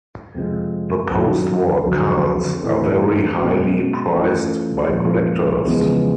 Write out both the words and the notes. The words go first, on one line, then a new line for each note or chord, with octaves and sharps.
The post-war cars are very highly prized by collectors.
F2 C3 F3 G#3
F#2 D#3 F#3
F2 D3 F#3
A2 E3 A3 C4
B2 G#3 C#4 F#4
E3 A3 C#4 F4
A#2 F3 G#3 C#4
E2 C#3 F3 G#3 B3